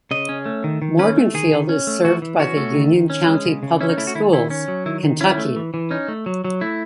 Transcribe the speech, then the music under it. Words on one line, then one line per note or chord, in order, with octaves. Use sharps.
Morganfield is served by the Union County Public Schools, Kentucky.
C#3 D#5
C#4
A3
D#3
D#3
C#4 B4
A3
D#3 G#4
D#3
C#4
A3
E3 F#4
E3
C#4 F#4
A3
D#3
D#3
C#4
G#3
C#3
C#3
C#4 E4
D#4
A3 E4
F#4
D#3 E4
D#3 E4
C#4
F#3
D#3 E4
D#3
C#4 E4
A3
E3
E3
C#4 D#4
A3
F#3
F#3
A3 E4